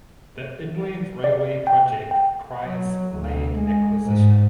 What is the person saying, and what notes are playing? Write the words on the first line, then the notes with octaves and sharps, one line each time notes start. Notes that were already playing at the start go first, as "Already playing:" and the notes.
The Inland Railway project requires land acquisition.
D5
G5
G5
F#3
D2
G#3
G#2